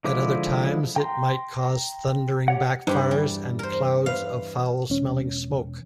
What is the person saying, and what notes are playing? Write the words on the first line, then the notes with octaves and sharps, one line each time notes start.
At other times it might cause thundering backfires and clouds of foul-smelling smoke.
D3 F3 G#3 E4 D6
G5 A#5 C6
G4 C#5 F#5
G2 D#4 G4 C5 B5
E2 G3
A#4 C5
E2 B4 C5 F5
E1 C#4